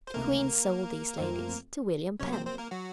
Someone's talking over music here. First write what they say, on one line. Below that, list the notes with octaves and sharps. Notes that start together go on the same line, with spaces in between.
The queen sold these ladies to William Penn.
C5
C#2 C3 D#3 A3 A#3 A#4
F#2 F3 A3 C4 F4
C3 F#3 A#3 C#4 C#5
C4 C5
C4 C5
A#3 A#4
F#3 F#4